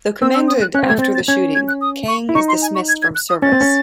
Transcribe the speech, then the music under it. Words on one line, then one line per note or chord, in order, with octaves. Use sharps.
Though commended after the shooting, Kang is dismissed from service.
C4 E6
E6
D#6
F#6
C#4 F#6
C4
A3 G#6
C4 A6
A6
C#4 G#6
G#6
F#6
D#6
C#6
E4
D#4 C#6
C6
G#5
C#6
G#6
G#6
F#6
D#6
C#4 A6
C4
C#4